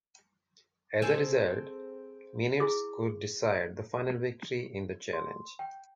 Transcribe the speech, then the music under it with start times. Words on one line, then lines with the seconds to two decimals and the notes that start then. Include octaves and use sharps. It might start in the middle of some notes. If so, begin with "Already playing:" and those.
As a result, minutes could decide the final victory in the Challenge.
1.02 C4 G#4 A4
2.60 E4 G#4
5.13 C6
5.59 G5